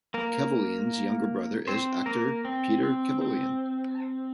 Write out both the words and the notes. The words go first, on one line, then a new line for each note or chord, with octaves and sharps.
Kevoian's younger brother is actor Peter Kevoian.
A#3 A#4
C4 C5
A#3 A#4
C4
C4
C4